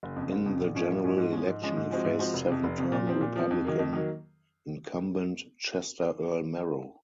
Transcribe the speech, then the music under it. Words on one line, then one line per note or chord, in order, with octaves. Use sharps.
In the general election, he faced seven-term Republican incumbent Chester Earl Merrow.
F#1
F2 C#3
F#1
F2 C#3
A#1
G#2 F3 A#3 C#4
A#1
G#2 F3 A#3 C#4
G#2
F3 G#3 C#4
G#2
F3 G#3 C#4
G#2
F3 G#3 C4 F#4
G#2
F3 G#3 C4 F#4
F1
F2 C3
F1
F2 C3
A#2
F3 C4
A#2
F3 C4
F2
D#3 F#3 A#3
F2
D#3 F#3 A#3